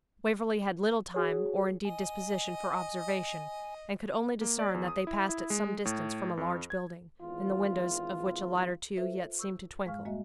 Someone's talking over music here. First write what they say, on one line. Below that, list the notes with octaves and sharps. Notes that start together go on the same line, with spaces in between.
Waverley had little time, or indeed disposition, for observation, and could only discern that they passed at some distance from a large building, in the windows of which a light or two yet seemed to twinkle.
F#4 G#4 C#5
D#5 G#5
A#3
D5
E2
D#6
E4
E4
G#3
A2
F2
G#6
G#1 E2 F4
F4 A4 B4 C5 E5
C#6 E6 G6
F2 G#2 G#3 F5 C#6 F6
G3 G#3 A#3 F#4 D#5 E5